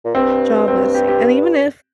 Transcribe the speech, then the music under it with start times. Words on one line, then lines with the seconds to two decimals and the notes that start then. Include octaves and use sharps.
job listing. And even if
0.05 A#2
0.15 G2 C4
0.68 G2 C4
0.95 G4
1.08 G4